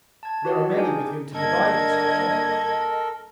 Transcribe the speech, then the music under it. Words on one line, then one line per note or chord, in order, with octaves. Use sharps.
"But there are many with whom to divide this treasure...."
A5 G#6
F#4 G4 B4 C#5 F#5
D4 D#4 G4 G#4 G#5 G6
G2 D3 A#3 A4 A#4 D#5 G#6